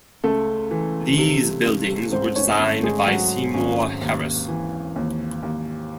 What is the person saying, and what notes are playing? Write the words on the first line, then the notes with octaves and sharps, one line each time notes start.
These buildings were designed by Seymour Harris.
C#2 A3 A4
E3
C3
C#2
G#2 C4 C5
C#4 C#5
G#1 A3 A4
G#3 G#4
G#2 F#3 F#4
G#1 C#4
D#2
E3
D#2
D#2